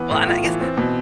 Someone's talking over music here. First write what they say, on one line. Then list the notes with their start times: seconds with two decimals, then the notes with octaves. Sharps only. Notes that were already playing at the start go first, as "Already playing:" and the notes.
Well and I guess
Already playing: E3 B3
0.11 A2
0.27 F4
0.44 E3
0.61 C4
0.78 B2